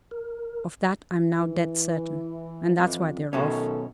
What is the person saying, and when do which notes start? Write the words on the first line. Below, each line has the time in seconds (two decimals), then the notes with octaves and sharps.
Of that I'm now dead certain. And that's why they're off.
0.11 A#4
1.26 E3
2.78 F2
3.33 B1 B2 D#3 C#4 A4